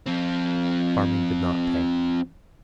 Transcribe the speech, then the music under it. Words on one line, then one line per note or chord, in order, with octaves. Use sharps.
Farming did not pay.
F3 C4